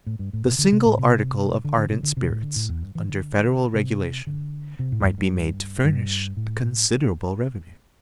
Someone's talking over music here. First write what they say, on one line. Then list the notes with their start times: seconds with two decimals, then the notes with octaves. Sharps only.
The single article of ardent spirits, under federal regulation, might be made to furnish a considerable revenue.
0.06 A2
0.19 G2
0.33 A2
0.46 C3
0.59 D3
0.72 C3
0.86 A2
0.99 C3
1.64 D3
1.77 D3
1.90 C3
2.03 D3
2.17 C3
2.30 A2
2.43 D3
2.56 A2
2.69 E2
2.82 G2
2.95 E3
3.09 D3
3.74 C3
4.27 D3
4.79 C3
4.92 A2
5.01 E2
5.06 G2
5.18 G2
5.84 G2
6.37 A2